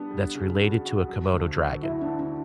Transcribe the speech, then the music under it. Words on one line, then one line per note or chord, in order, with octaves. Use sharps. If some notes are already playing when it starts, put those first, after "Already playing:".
that's related to a Komodo dragon.
Already playing: G3 B3 D4
G3
C#3
F#4
F#4
F#3
D2
D2
F#3 E4
D4
D3
D4